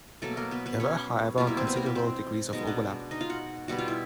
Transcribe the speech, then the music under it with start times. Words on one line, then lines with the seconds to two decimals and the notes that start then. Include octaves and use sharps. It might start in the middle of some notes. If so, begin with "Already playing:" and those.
There were however considerable degrees of overlap.
0.22 B2 F#3 A3 A#3 A4
0.37 A#3 A#4
0.51 B3 B4
0.66 B3 B4
0.80 C#4 C#5
1.38 B2 G3 A#3 F4 F5
1.47 E4 E5
1.57 C4 C5
1.67 B3 B4
1.76 A#3 A#4
1.86 B3 B4
1.95 C4 C5
2.53 B2 G#3 B3 D#4 D#5
2.67 D4 D5
3.11 D#4 D#5
3.21 F4 F5
3.30 F#4 F#5
3.68 B2 G3 B3 F#4 F#5
3.78 F4 F5
3.88 E4 E5